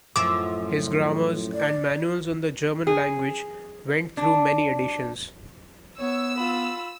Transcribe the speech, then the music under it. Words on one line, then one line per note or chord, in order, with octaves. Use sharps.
His grammars and manuals on the German language went through many editions.
F#2 A2 F3 D6 E6
D5
G#4
D4
B3 C#5 E6
F4 B5